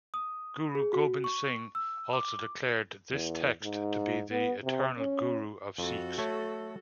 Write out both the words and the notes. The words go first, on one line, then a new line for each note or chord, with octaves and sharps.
Guru Gobind Singh also declared this text to be the eternal Guru for Sikhs.
D#6
G#4
F#4
C#6
E6
D6
E2
G#2
B3
C3
C#4
F2 F#4 A4
A3 C#5